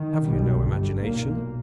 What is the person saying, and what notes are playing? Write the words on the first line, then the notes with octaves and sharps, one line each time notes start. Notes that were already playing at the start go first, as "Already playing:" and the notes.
Have you no imagination?
Already playing: D#3
B1 B2 G3
G1 G2 G3
B1 A#2 A#3